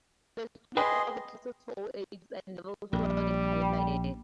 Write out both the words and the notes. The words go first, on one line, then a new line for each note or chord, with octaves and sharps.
The Studios offer classes for all ages and levels throughout the calendar year.
G#4 B4 D#5 G5 B5 C6
A#1 G3